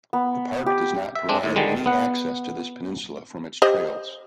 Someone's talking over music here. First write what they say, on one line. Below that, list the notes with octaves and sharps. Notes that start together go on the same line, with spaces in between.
The park does not provide any access to this peninsula from its trails.
B3
G4
E5
G#3 C4 D4
D#2 A2
D3 D#3 G3 G#3
B3 F#5
G4 C5 D#5